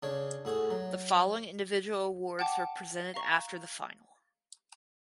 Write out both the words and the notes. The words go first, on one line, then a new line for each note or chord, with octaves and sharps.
The following individual awards were presented after the final.
C#3 D4 C#5
A2 F#4 G#4
F#3
F#5 G5 A5 D6
F5 A#5 C#6